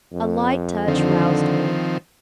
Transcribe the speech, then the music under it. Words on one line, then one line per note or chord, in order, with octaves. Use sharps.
A light touch roused me.
F2
D3 D#3 F3 C4